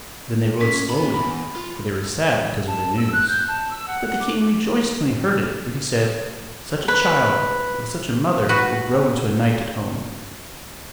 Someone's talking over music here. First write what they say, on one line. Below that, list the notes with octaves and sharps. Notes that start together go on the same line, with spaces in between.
Then they rode slowly, for they were sad because of their news; but the king rejoiced when he heard it, for he said: "Such a child, with such a mother, will grow into a knight at home."
C#4 B6
A#3 B5
E2 B5
F4
A5
E6
F#6
G6
A5
E6
F#5
F#5
D6
B4
F#4 B4